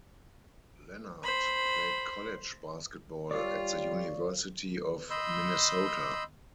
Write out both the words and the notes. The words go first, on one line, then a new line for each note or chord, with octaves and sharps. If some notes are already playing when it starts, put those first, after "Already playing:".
Lenard played college basketball at the University of Minnesota.
C5 B5
G3 F4 C#5 D5 D6
D#5 B5 C6 E6 G6